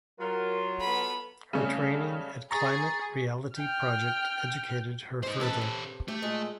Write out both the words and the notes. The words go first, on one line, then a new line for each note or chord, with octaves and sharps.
Her training at Climate Reality Project educated her further.
F#3 F4 A#4
B3 A4 B5
C#3 G3 A3 C#4
G#4 A#5 C#6 A6
G5 F6
G#2 D#4 B4 C5
G#2 C#4 A4 B4 A5
C3
A3 G4
A#2 G#3 G#4